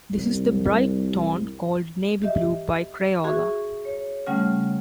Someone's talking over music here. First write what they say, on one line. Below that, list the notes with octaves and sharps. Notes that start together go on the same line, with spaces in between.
This is the bright tone called "navy blue" by Crayola.
C2
G4 D#5 E5
F#4 G#4 E5 C#6
C#5
C#3 G3 A3 C#4 F#5 F6